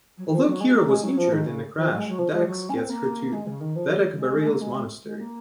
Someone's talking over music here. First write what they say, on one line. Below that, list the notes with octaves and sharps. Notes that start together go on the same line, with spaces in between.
Although Kira was injured in the crash, Dax gets her to Vedek Bareil's monastery.
F#3
F#3
F3
F#3
G#3
A#3
G#3
F#3
F3
D#3
C#3
F3
F#3
G#3
F#3
F3
F3
F#3
C#4
C4
A#3
G#3
C#3
D#3
F3
F#3
G#3
G#3
A#3
G#3
G#3
A#3